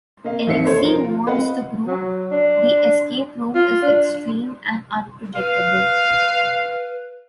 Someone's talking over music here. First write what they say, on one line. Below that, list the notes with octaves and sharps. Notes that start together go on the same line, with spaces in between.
Alexei warns the group the escape room is extreme and unpredictable.
A#3 D#5 F5
A1 D#2 C4 E5 C7 C#7
A4 C5 C#5
F3 A#4
F4
C4 B4 D#5 F5 F#5
F#3
D4
F4
D4
B4 F5